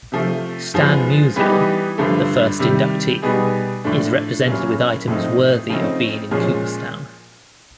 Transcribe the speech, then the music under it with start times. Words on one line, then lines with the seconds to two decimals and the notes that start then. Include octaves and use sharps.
Stan Musial, the first inductee, is represented with items worthy of being in Cooperstown.
0.12 C3 F3 A3
0.74 G#2 F3 G#3 B3
1.36 E3 G3 B3 D#4 G4
1.98 G2 D3 F3 A3
2.59 C3 D#3 G3
3.22 B2 G3 B3 D#4 G#4
3.84 A2 F3 A3 D4
4.46 A#2 F#3 A#3 C#4 E4
5.07 A2 F3 A3 C4 D#4
5.69 C#3 F3 A3 C4 D#4
6.31 A#2 F3 G#3 C#4